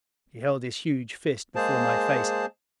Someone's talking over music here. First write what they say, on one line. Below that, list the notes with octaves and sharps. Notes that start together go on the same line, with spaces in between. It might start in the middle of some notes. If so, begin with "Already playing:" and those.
He held his huge fist before my face.
G#3 A#3 G#4 C5 A5